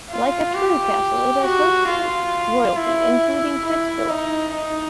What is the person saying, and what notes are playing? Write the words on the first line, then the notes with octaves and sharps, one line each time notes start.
Like a true castle, it has hosted royalty including Prince Philip.
F4
G4
F#4
F4
E4
E4
D#4
D#4